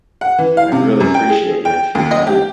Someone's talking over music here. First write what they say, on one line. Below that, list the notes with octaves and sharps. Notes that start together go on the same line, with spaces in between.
I really appreciate you for your time.
F#5
E3
F5
C3
F#2
G5
G#4
G5
D#2
D#5
G4